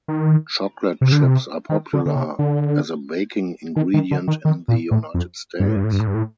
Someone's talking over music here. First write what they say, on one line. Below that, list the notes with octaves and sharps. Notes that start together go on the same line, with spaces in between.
Chocolate chips are popular as a baking ingredient in the United States.
D#3
C3
D3
C3
D#3
D3
D3
C3
D3
D#3
D#3
D3
D#3
D#3
A#2
A2
F2
G2
A2
G2
A2
G2
A2
G2
A2